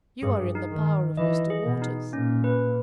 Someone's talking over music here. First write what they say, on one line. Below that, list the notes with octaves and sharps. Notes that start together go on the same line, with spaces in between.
"You are in the power of Mr. Waters."
G2 G#4
D#4
D#3
D#4
E3 D#5
G#4
B2
D#4
A#2 C#4
B4